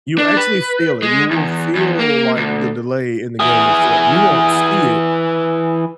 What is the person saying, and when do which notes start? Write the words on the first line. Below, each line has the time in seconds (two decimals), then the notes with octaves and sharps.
you actually feel it, you will feel, like, the delay in the game itself you won't see it,
0.18 D4
0.37 B4
1.02 G#3
1.31 E2
1.75 E2
1.99 A#3
2.37 D2
3.40 E3 G#4